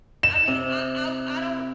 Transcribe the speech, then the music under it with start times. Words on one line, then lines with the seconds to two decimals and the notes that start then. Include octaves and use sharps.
I mean, I I w I don't
0.23 E7
0.48 C3